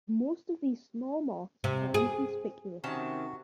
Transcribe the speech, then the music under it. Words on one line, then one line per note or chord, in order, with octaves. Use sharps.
Most of these small moths are inconspicuous.
C3
G#4
C3 D#3 C#4 F#4 A5